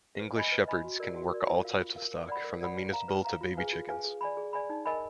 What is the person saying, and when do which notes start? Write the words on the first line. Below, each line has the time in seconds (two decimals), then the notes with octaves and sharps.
English Shepherds can work all types of stock-from the meanest bull to baby chickens.
0.19 B4
0.36 D#5 G#5 B5
0.52 B4
0.68 D#5 G#5 B5
0.84 F#4
1.00 A#4 D5
1.16 F#4
1.32 A#4 D5
1.48 F4
1.64 A#4 F5
1.80 F4
1.96 A#4 F5
2.12 A#4
2.28 D5 F#5 B5
2.44 A#4
2.61 D5 F#5 B5
2.77 B4
2.92 F5 A#5
3.08 B4
3.25 F5 A#5
3.41 F4
3.57 G#4 B4 F5 G#5
3.73 F4
3.89 G#4 B4 F5 G#5
4.05 G#4
4.21 D5 G#5 B5
4.37 G#4
4.53 D5 G#5 B5
4.70 D#4
4.86 A#4 D#5 G#5 B5